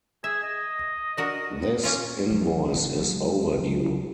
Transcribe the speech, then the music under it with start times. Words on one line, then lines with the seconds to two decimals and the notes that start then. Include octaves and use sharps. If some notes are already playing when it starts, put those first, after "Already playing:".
This invoice is overdue.
0.24 G#4 E5
0.43 D#5
1.17 D4 F#4 A#4
1.84 A#3 C#4 F4
2.30 F#3 A3
2.72 D#3 C4
2.99 F#3 G#3
3.57 F#3